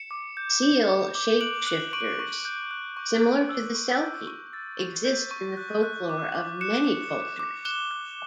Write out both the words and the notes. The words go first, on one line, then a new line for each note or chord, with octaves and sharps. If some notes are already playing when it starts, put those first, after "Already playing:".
Seal shapeshifters similar to the selkie exist in the folklore of many cultures.
Already playing: C#7 E7
D6
G6
G6
D6
D6
F#6 D7 F#7
F#6
C#6 D7 F#7
C#6
F#6 G6
F#6
C#6
C#6
E6
C#6
G6
C#6
E6 A6
C#6
G6 B6
C#6
F#6
F#6
D6
D6
F#6 C#7 E7
F#6
D6
D6
F#6 E7 G7
F#6